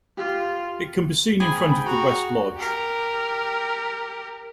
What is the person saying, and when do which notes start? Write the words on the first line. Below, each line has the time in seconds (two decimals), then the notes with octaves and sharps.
It can be seen in front of the West Lodge.
0.17 F4 G4
1.40 G#2 G#4 G5 B5
1.85 F#4 A#5
2.56 G4 A#4